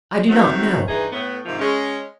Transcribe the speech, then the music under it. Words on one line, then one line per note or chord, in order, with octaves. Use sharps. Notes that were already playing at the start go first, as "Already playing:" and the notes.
"I do not know."
D#3 F#3 A3 C4
G2 E3 D#4 G#4
A2 B3
G#2 C3 D#3 F3
G#3 C#4